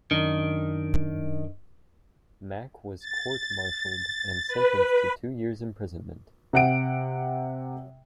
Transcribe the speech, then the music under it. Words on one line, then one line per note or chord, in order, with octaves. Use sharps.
Mack was court-martialed and sentenced to two years' imprisonment.
F#2 D#3 D4
A6
B4
C3 F#5 D7